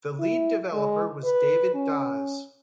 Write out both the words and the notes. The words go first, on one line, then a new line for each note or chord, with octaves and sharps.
The lead developer was David Dawes.
E4
G#3
B4
C#4